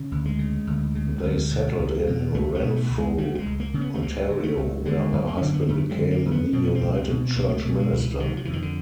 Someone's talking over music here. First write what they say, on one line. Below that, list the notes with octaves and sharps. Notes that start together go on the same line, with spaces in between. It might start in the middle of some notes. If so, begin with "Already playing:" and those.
They settled in Renfrew, Ontario where her husband became the United Church minister.
Already playing: C#3
D2
G#3
C#3
D2
C#3
D2
B2
C#2
B2
C#2 A3
A3
B2
A3
C#2
G#3
C#3 G3
G3
G#3
C#2
A#3
C#3
B3
A3
C#2 A#3
C#3
A3
C#2
D3 G#3
F#2
A#3
C#4
D3 C4
B3
A#3
F#2 A3
G#3
D3
A#3
F#2
B3
B2 C4
B3
C4
C#2
C4
B2
C#2 A#3
A#3
A3
B2
G#3
C#2
E3
E3
C3 D#3
F3
E3
F2
D#3
D3